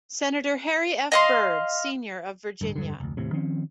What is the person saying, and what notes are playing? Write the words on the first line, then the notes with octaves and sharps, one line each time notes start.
Senator Harry F. Byrd, Senior of Virginia.
D#5 F5 C6
D1 G1 G2
E1 G2 D3
F1 D2
D#2 A2 C3
D#3 F3 C4 C#4